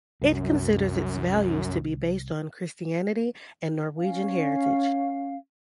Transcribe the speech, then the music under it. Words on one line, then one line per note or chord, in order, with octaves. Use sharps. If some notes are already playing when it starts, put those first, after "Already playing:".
It considers its values to be based on Christianity and Norwegian heritage.
C2 F#2
C#4 F5